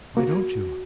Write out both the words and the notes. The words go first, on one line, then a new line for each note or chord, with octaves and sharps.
"Why don't you?"
A#3 F#4